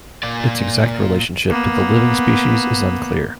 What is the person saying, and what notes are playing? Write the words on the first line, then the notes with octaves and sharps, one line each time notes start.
Its exact relationship to the living species is unclear.
A#2 D5
A#3 B3